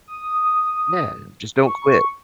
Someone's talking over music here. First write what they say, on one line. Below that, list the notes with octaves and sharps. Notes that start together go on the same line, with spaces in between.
Yeah. Just don't quit.
D#6
C#6